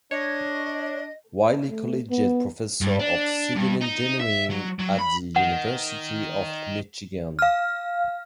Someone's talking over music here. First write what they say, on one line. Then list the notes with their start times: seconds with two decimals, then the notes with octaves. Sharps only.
Wylie Collegiate Professor of Civil Engineering at the University of Michigan.
0.11 D4 C#5 D#5
1.67 A3
2.10 B3
2.81 G2
2.99 D4
3.56 G2
3.81 D#4
4.20 E5
4.50 F#3
4.79 F#3
4.99 B5
5.36 D#3 F#5
7.39 F5 F6